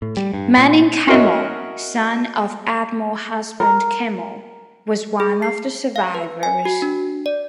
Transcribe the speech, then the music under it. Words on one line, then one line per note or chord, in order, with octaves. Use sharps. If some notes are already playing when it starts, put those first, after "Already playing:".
Manning Kimmel, son of Admiral Husband Kimmel, was one of the survivors.
A2
G3
G2
A#2
C#4 F#4 A#4 D#5 E5
A#4
G#4
C7
F5
B4
G#5
F#4
D4
D5